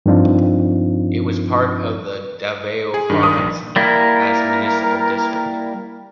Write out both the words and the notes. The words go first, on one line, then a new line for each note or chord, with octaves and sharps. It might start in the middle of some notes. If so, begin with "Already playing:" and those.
It was part of the Davao province as Municipal District.
G2 F3 C4 D4 D#4 F4
G#4
G2 D#3
D#6
A#1
G3 A#3 E4 A#4